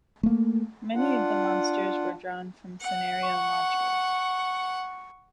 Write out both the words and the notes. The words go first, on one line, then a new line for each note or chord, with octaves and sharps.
Many of the monsters were drawn from scenario modules.
A3 A#3
D4 F4 F#5
F#5
C#6